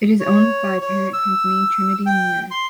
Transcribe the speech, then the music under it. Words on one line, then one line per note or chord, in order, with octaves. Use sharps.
It is owned by parent company Trinity Mirror.
C#5
C#5
E6
G5
C6